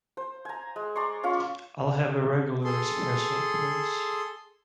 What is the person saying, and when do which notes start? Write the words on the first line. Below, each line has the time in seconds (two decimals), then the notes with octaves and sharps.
I'll have a regular Espresso please.
0.17 C5
0.45 G#5 A#5
0.76 G#3
0.96 D5 A#5 C6 C#6
1.23 C#4 F4 F5 C#6
2.64 G#4 A4 C6